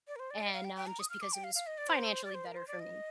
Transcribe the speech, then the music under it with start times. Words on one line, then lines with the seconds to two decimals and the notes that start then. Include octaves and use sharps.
and, um, just because it was financially better for me,
0.08 D5
0.16 A#4
0.19 C5
0.31 D5
0.42 D#5
0.53 F5
0.64 G5
0.76 G5
0.87 A#5
0.99 D#6
1.10 F6
1.21 D6
1.33 G5
1.44 F5
1.55 F5
1.67 D#5
1.78 D5
1.89 C5
2.25 D5
2.34 C5
2.46 A#4
2.56 C5
2.68 D5
2.79 D#5